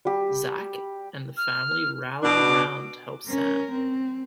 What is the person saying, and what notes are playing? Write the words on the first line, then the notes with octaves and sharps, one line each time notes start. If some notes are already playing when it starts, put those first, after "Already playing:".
Zak and the family rally round to help Sam.
G3 G4
F6
B2 D4 D6
C#4 A#4
C4